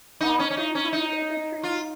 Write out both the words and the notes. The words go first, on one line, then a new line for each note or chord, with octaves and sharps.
oftentimes, it's a treat,
D#4
C#4
C#4
D#4
C#4
D#4
F4